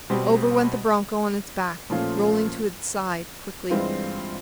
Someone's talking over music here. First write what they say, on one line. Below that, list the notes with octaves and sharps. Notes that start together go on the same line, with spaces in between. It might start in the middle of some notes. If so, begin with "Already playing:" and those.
Over went the broncho on its back, rolling to its side quickly.
B2 G3 C4
A#2 F3 A3 C#4 F4
G2 E3 G#3 C4 F4